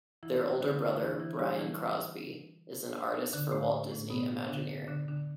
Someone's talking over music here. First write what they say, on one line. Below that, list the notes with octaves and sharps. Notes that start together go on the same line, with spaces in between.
Their older brother, Brian Crosby, is an artist for Walt Disney Imagineering.
E3 E4
D3 D4
E3 E4
E3 E4
G3 G4
E3 E4
D3 D4
A2 A3
A2 A3
B2 B3
D3 D4
D3 D4
D3 D4